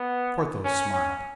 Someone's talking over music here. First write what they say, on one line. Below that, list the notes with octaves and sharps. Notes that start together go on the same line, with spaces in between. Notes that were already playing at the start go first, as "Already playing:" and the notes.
Porthos smiled.
Already playing: B3
C#4
C#4